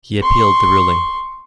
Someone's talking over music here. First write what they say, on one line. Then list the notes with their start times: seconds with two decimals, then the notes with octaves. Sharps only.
He appealed the ruling.
0.22 C6 C#6